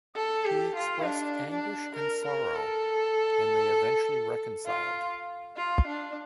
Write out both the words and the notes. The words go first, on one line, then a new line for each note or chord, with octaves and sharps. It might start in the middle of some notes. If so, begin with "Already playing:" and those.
He expressed anguish and sorrow, and they eventually reconciled.
A4
G4
F4
D4
D4
A#4
A#4
A4
F4
F4
D4